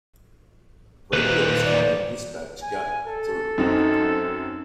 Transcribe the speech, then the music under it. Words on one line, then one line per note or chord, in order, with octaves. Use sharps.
Radios calling dispatch got through.
D#2 A#2 B4 C5 F#6
D5
G#5
A4
F#2 C4 D#4 F#4
E6